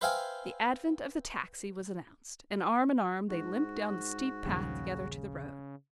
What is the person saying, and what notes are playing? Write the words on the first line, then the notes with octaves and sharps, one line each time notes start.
The advent of the taxi was announced, and arm in arm they limped down the steep path together to the road.
B4 C5 E5 F5 G5 G#5
G#2 F#4
A#1 D#2 C#3 G3